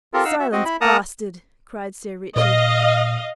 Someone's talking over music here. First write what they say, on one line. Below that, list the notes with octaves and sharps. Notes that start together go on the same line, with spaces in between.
"Silence, bastard!" cried Sir Richard.
C4 F4 G4 A4 A#4
D#4 F5 F#5 E6
F#4 E5
C4 F#4 D#5
E4 B5
A#3 A#4 F#5 A5 A#5 D#6
A#2 D#5 F5